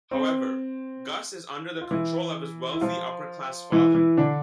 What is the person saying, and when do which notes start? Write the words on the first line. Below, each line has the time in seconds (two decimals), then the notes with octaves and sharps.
However, Gus is under the control of his wealthy, upper-class father.
0.11 C4
1.81 F4
1.91 E3 E4
2.72 E4
2.81 F3 F4
3.72 E3 E4
3.95 E3 E4
4.17 D3 D4